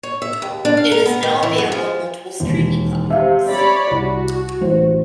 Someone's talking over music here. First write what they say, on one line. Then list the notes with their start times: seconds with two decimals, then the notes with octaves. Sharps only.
It is now available on multiple streaming platforms.
0.03 C#5
0.22 E5
0.42 D#2
0.65 D4
0.77 F5
0.92 A#4
1.06 B3
1.23 D#3
1.43 E3
1.58 F#2
1.72 F3
2.40 E1 D#2
3.10 C3 E5 F5
3.49 C#5 D5 B5
3.91 C2 F#4
4.61 A1 C5